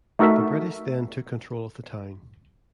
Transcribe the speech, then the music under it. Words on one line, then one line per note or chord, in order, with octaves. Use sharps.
The British then took control of the town.
A3 D#4 F#4 A4 A#4 E5